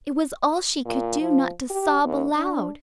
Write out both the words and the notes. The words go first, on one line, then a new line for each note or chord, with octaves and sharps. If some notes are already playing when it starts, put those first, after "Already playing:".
It was all she could do not to sob aloud.
A#2
F3
G4
D#2
D4